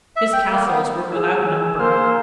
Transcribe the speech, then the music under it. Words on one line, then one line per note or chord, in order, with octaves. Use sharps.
His castles were without number.
E5
G5
A#3
B3
E4 G#4 G#5 E6
A#3 C5 F6